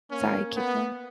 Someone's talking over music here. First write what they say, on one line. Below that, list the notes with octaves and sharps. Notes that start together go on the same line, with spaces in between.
sorry, keep going.
A#3 C#4
B3